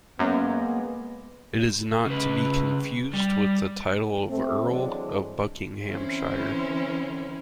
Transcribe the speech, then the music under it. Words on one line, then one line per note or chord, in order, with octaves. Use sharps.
It is not to be confused with the title of Earl of Buckinghamshire.
F#2 G#3 A#3 B3
C#3 B4
G3
A3 C4
D3 E3 F#3 G#3 C4 D4
D3 E3 C4 C#4 E4 C5